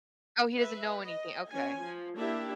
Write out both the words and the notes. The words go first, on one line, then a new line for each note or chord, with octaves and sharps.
Oh, he doesn't know anything, okay.
B4 E5
D#5
C#4 G#5
F3
A#3 D4 E4 G4 E5